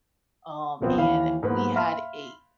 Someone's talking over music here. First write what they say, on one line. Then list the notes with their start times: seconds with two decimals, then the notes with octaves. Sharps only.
um, and we had a
0.81 D#1 B1 F3 B3 C4
0.97 D#2 E3 F5 B5
1.43 G#2 A#3 B3 B4 B5
1.76 E5 F5 B5 C6 F6